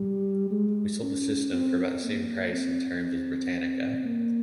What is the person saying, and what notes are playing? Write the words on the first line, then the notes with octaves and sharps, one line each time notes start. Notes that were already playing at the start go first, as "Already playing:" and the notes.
We sold the system for about the same price and terms as Britannica.
Already playing: G3
G#3
C#4
C4
A#3
C4
A#3